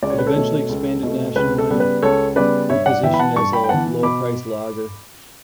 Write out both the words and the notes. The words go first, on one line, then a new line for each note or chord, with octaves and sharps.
It eventually expanded nationwide, repositioned as a low-price lager.
C#2 D5
C#5
B4
A4 C#5
B2 A3
C#2
B2 A3
C#2 B4
A4
C#3 G3 B3
B4
C#2 A4 C#5
C#3 G3 B3 B4 D5
G2 C#5 E5
D5 F#5
E3 B3 E5 G5
B5
F#5 A5
G2 A5 C#6
G5 B5
G5
E3 B3 F#5 A5
B2 B5 D6